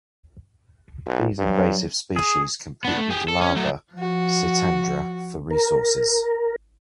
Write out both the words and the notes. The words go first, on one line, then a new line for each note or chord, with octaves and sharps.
These invasive species compete with lava cyrtandra for resources.
B1
G2 F#3
G#4
B3 D4
A3
G4 G#4
A4
C#4
F#3 A3
F3 F#4
A#4